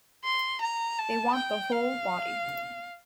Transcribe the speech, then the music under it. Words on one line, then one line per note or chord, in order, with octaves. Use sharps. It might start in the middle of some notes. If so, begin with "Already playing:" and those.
They want the whole body.
C6
A#5
A5
G5
F5